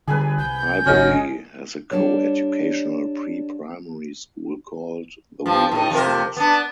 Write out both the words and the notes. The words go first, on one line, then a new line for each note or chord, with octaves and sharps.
Highbury, has a co-educational pre-primary school called the Weavers' Nest.
D3 G3 G#4 B4 G#5
C2 G6
G#1 C#3 F#3 C#4 D#5
G3 D4 C#5
G2 F3
A2 D#4
F2 C3 A#4
B3 D4